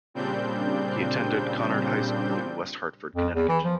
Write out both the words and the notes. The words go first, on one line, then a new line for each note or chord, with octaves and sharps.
He attended Conard High School in West Hartford, Connecticut.
A#2 C#3 G3 C4 D4 G6
F2
E2
E3
F3